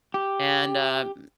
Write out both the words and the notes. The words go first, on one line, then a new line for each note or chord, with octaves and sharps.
and, uh, m
G4